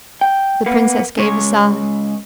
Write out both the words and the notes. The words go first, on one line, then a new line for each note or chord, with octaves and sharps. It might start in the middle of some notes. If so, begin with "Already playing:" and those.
The princess gave a sigh.
G5
A#3 B3
C#3 G#3 C#5